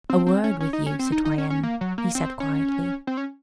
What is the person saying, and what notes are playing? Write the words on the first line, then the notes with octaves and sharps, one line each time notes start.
"A word with you, citoyenne," he said quietly.
C4
C4
C#4
C#4
D#4
C#4
C4
D#4
D#4
C#4
C#4
A#3
F#3
A#3
C4
C#4
C4
C#4